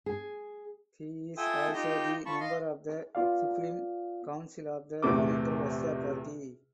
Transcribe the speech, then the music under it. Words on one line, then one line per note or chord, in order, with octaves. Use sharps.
He is also the member of the Supreme Council of the United Russia party.
G#4
F4 A4 E5 G5 G#5 D#6
D#4 F4 G4 D#5 G5 G6
F4 A5 B5 C#6
D#5 F5 C6
B3 F4 D5 F5
A#1 E2 C3 A3 D6